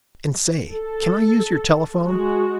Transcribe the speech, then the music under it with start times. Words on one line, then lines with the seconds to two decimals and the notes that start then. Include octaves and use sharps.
'And say, can I use your telephone?'
0.71 A4
1.99 G#3 F#4